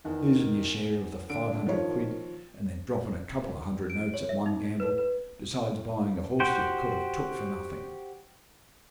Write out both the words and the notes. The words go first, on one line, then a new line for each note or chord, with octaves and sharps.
Losin' yer share of the five hundred quid, and then dropping a couple of hundred notes at one gamble, besides buying a horse yer could have took for nothing.
E2 D#3
D3 D7
D#3 F3 C#5
D7
C#5
E5
D#4
B4
B4
F#4 G4 C5